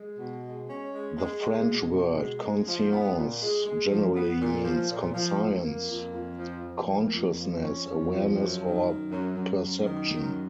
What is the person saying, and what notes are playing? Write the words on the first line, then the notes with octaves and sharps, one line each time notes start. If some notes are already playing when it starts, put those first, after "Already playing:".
The French word "conscience" generally means "conscience", "consciousness", "awareness", or "perception".
Already playing: G#3
B2
G#3
C#4
G#3
G#3
G#3
B2
B2
G#3
G#3
F3
B3
A#2
G#3
G#3
F3
B3
A#2
F3
A#2
F3
F2
A#3
F2
F2
F3
F3
A#3
F2
F3
C#4
F2
F3
F#2
D#3
F#2
F#2
F#2
F#2
D#3
F#2